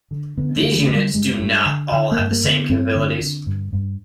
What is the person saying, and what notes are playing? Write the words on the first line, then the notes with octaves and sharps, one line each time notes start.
These units do not all have the same capabilities.
D3
D3 B3
A#3
D3
A3
D3
G3
G2 G#3
G2
D3
D3
A#3
G2
A#3
D3
B3
G2 C4
D3
D3
G2
G2